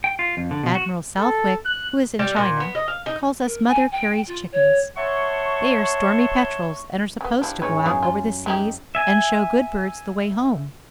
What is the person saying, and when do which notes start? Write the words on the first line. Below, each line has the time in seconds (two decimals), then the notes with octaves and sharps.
Admiral Southwick, who is in China, calls us Mother Carey's chickens. They are stormy petrels, and are supposed to go out over the seas and show good birds the way home.
0.04 G5
0.19 F4
0.37 F2
0.51 D3
0.63 B2
0.75 F#4
1.18 A4
1.65 F#6
2.19 G3
2.36 A#2
2.60 B3
2.75 D#5
2.88 F5
3.06 D#4
3.45 A#4
3.68 G#5
3.91 G5
4.27 F4
4.52 C#5
4.97 C#5 E5 F#5 A5 C6 C#6
7.21 C#3 B3
7.42 F3 D4 E4 G4
7.62 G#2 C#4 B4 C#5
7.86 F#2 G#3 B3 F5
8.03 F4
8.46 G#3 D#4 G4 E5
8.95 E5 G#5